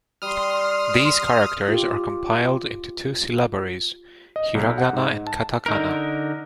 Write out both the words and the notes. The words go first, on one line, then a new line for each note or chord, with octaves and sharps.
These characters are compiled into two syllabaries: hiragana and katakana.
G3 C6 D#6 F6
F4 G4
D#5
B1
F#5
G#2
A5
D3 D#4 A#4